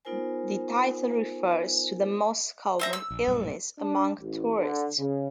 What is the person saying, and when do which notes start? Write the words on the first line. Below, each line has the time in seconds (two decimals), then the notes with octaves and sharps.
The title refers to the most common illness among tourists.
0.05 B3 D#4 F4 A#4 C5 G#5
2.79 C5 E5 A#5
2.93 E6
3.10 A#1
3.27 B1 G2 A#2
3.78 D4
4.20 A1
4.59 D3
4.97 C#3